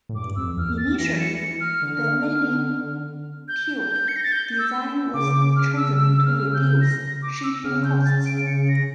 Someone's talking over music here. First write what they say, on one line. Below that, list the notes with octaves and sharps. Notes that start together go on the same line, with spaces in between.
Initially, the mailing tube design was chosen to reduce shipping costs.
A2
G2 D6
F2 E6
E2 F6
A6
E3 A#6
C#7
C#7
F6
D3
G6
G6
C#7
A#6
A6
G6
E6
C#3 D6
D6
F6
E6
E6
F6
G6
A#6
A#6
D6
E6
C#3 F6
G6
A6
D7
C#7
A#6